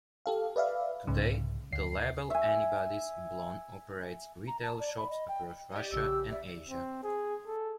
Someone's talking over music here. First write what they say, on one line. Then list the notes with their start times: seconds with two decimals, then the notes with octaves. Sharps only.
Today, the label Anybody's Blonde operates retail shops across Russia and Asia.
0.26 G4 A4 F5
0.56 B4 D5 E5 F5
1.07 C2 G#2 C#3
1.72 D2 C7
2.30 E5 G#5
4.47 A#5
4.63 A5
4.80 D5
4.97 B5
5.10 D#5
5.28 G5
5.72 G4 D5 D#5
5.92 A#1 C#3 G4 E6
6.31 D5 E5
6.69 C4
7.03 G#4
7.47 A4